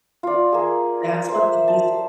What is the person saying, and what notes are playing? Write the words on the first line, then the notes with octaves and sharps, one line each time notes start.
that's what the DC
F4 D5
A#3 G#4
C5 E5
A5